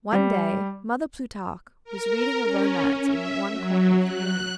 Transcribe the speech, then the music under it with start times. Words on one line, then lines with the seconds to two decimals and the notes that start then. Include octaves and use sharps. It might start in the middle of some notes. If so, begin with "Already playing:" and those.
One day, Mother Plutarque was reading a romance in one corner of the room.
0.13 G3
1.84 A#4
2.43 C#4
3.05 E5
3.51 F#3
3.99 F#6